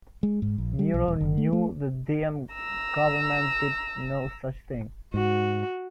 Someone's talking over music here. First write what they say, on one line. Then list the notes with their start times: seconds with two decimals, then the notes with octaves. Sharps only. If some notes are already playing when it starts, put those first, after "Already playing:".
Murrow knew the Diem government did no such thing.
0.23 G#3
0.42 G#2
0.58 A#1
0.79 G3
0.94 B1
1.08 D#1
1.21 F#1
1.38 A3
1.53 A3
2.53 A#5 E6
5.14 G#2 F#4